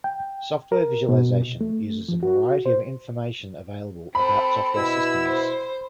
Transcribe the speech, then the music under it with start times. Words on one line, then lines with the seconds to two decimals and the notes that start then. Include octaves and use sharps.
Software visualization uses a variety of information available about software systems.
0.04 G5
0.72 A#4
1.09 B2
1.61 A3
2.09 F3
2.23 F#4
2.66 C5
4.15 C4 A4 B5
4.76 B2 E4 E6
5.28 C5